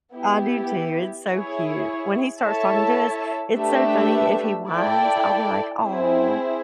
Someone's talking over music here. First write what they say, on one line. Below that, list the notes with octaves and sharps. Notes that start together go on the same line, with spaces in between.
I do too, it's so cute. When he starts talking to us, it's so funny, if he whines, I'll be like, "Aw,
B3 E4 G4
E4 G#4 C#5
E4 A4 C#5 E5 A5
A3 D4 G4 B4 E5
E4 A4 D5 G5
C4 E4 G#4 C5